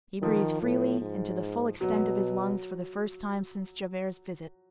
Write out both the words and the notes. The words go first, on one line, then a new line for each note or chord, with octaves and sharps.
He breathed freely and to the full extent of his lungs for the first time since Javert's visit.
D#3 F3
A2
G#2
B2 F#3